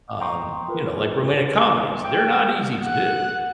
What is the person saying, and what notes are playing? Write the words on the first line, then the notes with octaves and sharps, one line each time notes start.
Um, you know, like, romantic comedies, they're not easy to do.
G5 A#5 C6 C#6 D#6
F4 A#4 B4
G5
F#5 F#6